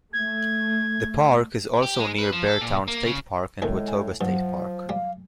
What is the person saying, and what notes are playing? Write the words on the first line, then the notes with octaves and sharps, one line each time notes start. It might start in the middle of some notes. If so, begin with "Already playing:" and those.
The park is also near Beartown State Park and Watoga State Park.
A3 G#6
G4
G#3
B4
F3
A4
A#2
A#3
C#3
B1 A2 D#3 G#3
G#5
G2 F3 F#3 F#5
G3 F5